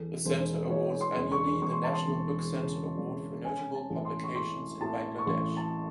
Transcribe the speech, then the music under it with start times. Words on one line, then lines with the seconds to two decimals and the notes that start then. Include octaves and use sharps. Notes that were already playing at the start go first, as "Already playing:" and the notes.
The centre awards annually the National Book Centre Award for notable publications in Bangladesh.
Already playing: E2 A4
0.25 E1 C5
0.70 E2 C#5
1.01 C6
1.16 E1
1.32 C#6
1.62 E1 C#6
1.72 C6
1.83 A5
1.93 C6
2.07 E1
2.53 C#3
2.98 E1
3.44 C#4 G#5
3.75 A5
3.90 A1
4.05 C6
4.24 C#6
4.35 A2 C6
4.81 A2 A5
5.18 C#6
5.26 A1 C6
5.57 A5